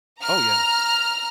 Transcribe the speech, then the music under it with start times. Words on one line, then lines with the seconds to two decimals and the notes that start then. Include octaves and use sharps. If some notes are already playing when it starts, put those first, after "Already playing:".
Oh, yeah.
0.22 A#5 F6